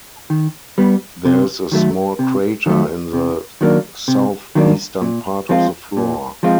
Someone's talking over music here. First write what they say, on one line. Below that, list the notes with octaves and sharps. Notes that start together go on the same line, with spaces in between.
There is a small crater in the southeastern part of the floor.
D#3
G3 B3
C3
D#3 F#3 A3
C3
D#3 F#3 A3
C3
D#3 F#3 A#3 D4
C3
D#3 F#3 A#3 D4
A#2
F3 G#3 C4 F4
A#2
F3 G#3 C4 F4